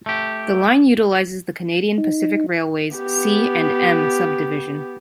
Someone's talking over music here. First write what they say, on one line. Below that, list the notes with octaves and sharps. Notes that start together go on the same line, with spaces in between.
The line utilizes the Canadian Pacific Railway's C and M Subdivision.
A3 G4
D#4
B3 G4